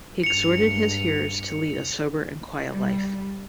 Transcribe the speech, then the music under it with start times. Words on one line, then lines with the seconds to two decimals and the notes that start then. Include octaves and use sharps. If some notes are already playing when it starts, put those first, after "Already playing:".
He exhorted his hearers to lead a sober and quiet life.
0.24 G2 C#7 F7
2.72 G3